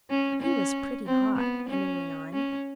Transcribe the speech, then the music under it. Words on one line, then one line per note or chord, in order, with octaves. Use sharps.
"He was pretty hot," Henry went on.
C#4
C#4
C4
B3
C#4
C#4